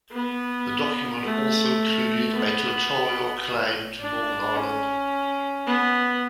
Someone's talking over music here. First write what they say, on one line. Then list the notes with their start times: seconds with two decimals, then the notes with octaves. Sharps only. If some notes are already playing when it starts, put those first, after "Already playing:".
The document also included a territorial claim to Northern Ireland.
0.12 B3
1.23 A3
2.33 B3
4.01 D4
4.56 C#4
5.67 B3